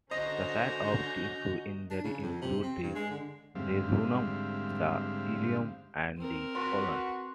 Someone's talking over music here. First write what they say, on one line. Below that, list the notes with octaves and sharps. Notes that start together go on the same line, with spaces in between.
The sites of tissue injury include the jejunum, the ileum, and the colon.
D3 C#4 F#4 C5 D#5 A#5 G6 A#6
D4
C#3
F2
C3
C4
G2
G#3
D3
G#2 D3 G3 C4 E5 F5
C4 A#4
F#4 B4 C6